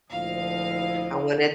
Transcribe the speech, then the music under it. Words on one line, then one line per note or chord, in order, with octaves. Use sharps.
I wanted
D2 A#2 F3 E4 D#5 F5